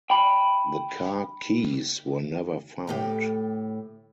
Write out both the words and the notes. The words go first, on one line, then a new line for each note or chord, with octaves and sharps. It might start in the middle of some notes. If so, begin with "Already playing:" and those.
The car keys were never found.
G5 B5
D2 A2 G4